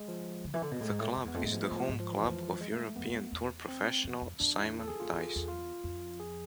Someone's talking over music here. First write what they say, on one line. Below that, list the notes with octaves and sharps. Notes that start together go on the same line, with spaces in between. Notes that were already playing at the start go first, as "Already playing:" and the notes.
The club is the 'home club' of European Tour professional Simon Dyson.
Already playing: G#3
F3
D3
E3
D3
B2
A2 G#3
G#2
A2
F2
E2 B3
F2
A3
A2 G#3
G#2 F3
F3
A2
F3
G#2 G#3
F3
E3
F2 F3
G#3
A3
F2 B3
E2
E2
C4
F2
F2
E2 D4
E4
A4
G#4
F4
E2
E2
F4
F2
G#4